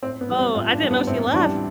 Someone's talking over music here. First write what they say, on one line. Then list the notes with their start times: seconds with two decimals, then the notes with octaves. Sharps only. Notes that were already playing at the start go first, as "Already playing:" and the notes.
Oh, I didn't know she left.
0.03 A2 C4
0.21 B3
0.29 E3 G3
0.37 C4
0.55 A2 F4
0.72 D4
0.82 E3 G3
0.91 B3
1.07 A2 C4
1.33 E3 D4
1.38 G3